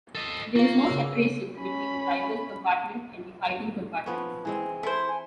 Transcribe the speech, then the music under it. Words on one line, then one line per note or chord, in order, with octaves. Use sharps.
There was no separation between the driver's compartment and the fighting compartments.
A4 D#5
A#3 F4 F5
C#3 E6
C#4 B5
F3 B3 C#4
E3 G#3 C4 G#5
E4 A4 C5
G#5